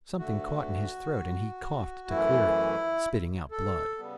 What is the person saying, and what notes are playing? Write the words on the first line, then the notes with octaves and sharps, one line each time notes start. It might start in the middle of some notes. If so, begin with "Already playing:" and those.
Something caught in his throat and he coughed to clear it, spitting out blood.
D2 D3 A3 F#4
F#2 E3 A3 E4
A4
C#3 G3 B3